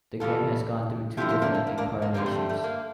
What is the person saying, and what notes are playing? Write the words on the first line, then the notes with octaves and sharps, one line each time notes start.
The game has gone through two different incarnations.
G2 E3 G3 F4 A4
F2 D3 F3 E4 G4
C4 E4
A#3 D4
A#3
A#3
A#3 D4
A#3
F2 D3 G3 A#3
A3
A3
A#3